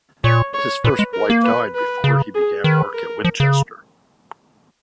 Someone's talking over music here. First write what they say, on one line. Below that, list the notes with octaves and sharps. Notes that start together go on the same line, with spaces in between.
His first wife died before he began work at Winchester.
A#2 C#5
C#5
A#2 B4
G#3
A#4
A#3
B4
B4
C#3
G#4
D#3 B4
A#4
F3
C#3